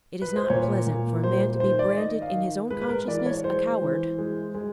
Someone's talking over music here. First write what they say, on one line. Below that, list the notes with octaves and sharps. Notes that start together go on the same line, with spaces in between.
It is not pleasant for a man to be branded, in his own consciousness, a coward.
B4
C5
A#2 C#5
A#2
G3 C5
C5
D#3 C5
D5
D#3 D#5
F5
D#3
G#3 B4
B4
A#4
E3 D5
C#5
G#3 C5
E3
G#3
G#3